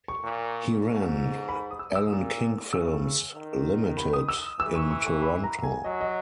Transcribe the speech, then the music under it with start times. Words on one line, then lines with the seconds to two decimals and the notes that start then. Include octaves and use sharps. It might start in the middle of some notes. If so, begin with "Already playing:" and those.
He ran Allan King Films Limited in Toronto.
0.08 C#6
0.24 A#2
0.87 G#2
1.49 B5
1.71 D#6
1.79 E6
1.95 E6
2.11 A#2
2.73 C#3 E6
3.35 D#3
3.97 B5
4.13 D#6
4.28 E6
4.60 E3 E6
4.76 C#6
4.91 C#6
5.07 C#6
5.22 B5
5.44 A#5
5.63 G#5
5.84 F#3 D#5
6.01 D#5